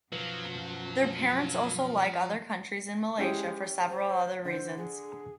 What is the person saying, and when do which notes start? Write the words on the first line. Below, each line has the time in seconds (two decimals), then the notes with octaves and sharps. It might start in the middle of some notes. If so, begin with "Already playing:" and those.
Their parents also like other countries in Malaysia for several other reasons.
0.12 B1 F#2 B2 F3 F#3 B4
3.18 G#3 C#4 E4 G4
3.89 C5
4.45 D3 C5
4.77 G#4